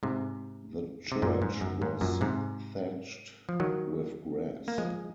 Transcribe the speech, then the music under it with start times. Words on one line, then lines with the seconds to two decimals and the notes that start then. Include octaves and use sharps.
The church was thatched with grass.
0.03 G#2 C3
1.12 C3
1.22 F#2 A#2
1.42 G#2
1.61 F#2
1.82 G#2
2.01 F#2 A#2
2.21 G#2 C3
3.49 F3
3.60 D#3 F#3
4.68 A#3
4.78 F3 G#3